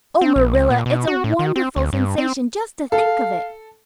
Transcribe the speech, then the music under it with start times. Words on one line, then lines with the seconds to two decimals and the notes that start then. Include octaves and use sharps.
Oh, Marilla, it's a wonderful sensation just to think of it.
0.21 C4
0.36 A#1
0.54 C#2
0.70 A#2
0.86 B2
1.07 F#4
1.24 A2
1.39 D#3
1.56 C4
1.76 D2
1.93 G2
2.18 C4
2.92 A4 F5